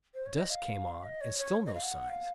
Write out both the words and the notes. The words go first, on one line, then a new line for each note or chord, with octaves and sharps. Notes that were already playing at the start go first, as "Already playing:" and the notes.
Dusk came on, and still no signs.
C5
C#5
D#5
F5
D#5
C#5
C#5
D#5
F5
F#5
F5